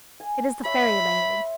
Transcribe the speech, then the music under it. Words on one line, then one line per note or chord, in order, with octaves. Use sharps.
It is the fairy language.
G#5
C#5 E5 B5 C6